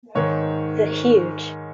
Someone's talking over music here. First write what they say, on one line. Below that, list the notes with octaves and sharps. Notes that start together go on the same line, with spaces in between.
The huge.
G#2 D#3 C#5